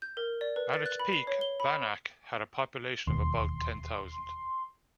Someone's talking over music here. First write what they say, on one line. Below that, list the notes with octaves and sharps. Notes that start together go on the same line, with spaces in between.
At its peak, Bannack had a population of about ten thousand.
G6
A#4
D5
B4
A6
F#6
B5
C7
C#5
G7
B5
E1 D#2 C6